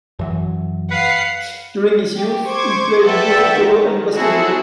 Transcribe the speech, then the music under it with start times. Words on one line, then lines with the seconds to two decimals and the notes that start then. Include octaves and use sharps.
During his youth he played water polo and basketball.
0.19 F#2 E3 F#3
0.91 B4 F5 F#5 C7
2.16 G4
2.46 C5 C#6 D6 G#6
3.02 A4 B4 D5 E5 F#5 G5
3.56 D#3
4.17 C4 E4 F#4 G#4 A4